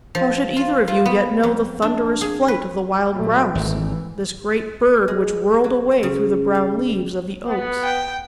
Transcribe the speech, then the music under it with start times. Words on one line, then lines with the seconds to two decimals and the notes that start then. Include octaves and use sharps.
How should either of you yet know the thunderous flight of the wild grouse, this great bird which whirled away through the brown leaves of the oaks?
0.15 F3
0.57 F4
0.88 F4
1.06 B3
1.43 F2
1.82 D4
2.21 G#4
2.48 B4
3.14 A#1 F#3 A3
3.55 G#1 E3
5.08 G#3
5.64 F#3
6.03 C#3
6.55 F5
7.48 B3
7.83 G5